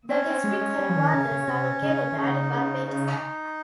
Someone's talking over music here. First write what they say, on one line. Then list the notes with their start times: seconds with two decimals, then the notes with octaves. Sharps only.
The district headquarters are located at Barpeta.
0.09 C4 C#4
0.26 C4
0.44 G#3
0.61 G#3
0.79 G3
0.89 F3
0.96 D#3
1.14 C#3
1.31 C#3
1.48 C3
1.82 C#3
2.12 D#3
2.17 C#3 D#4
2.87 D#4